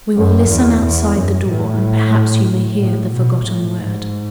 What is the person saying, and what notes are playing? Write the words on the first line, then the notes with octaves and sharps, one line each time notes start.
We will listen outside the door, and perhaps you may hear the forgotten word.
F#2
E2
E2
F#2
A2
A2
B2
A2
G#2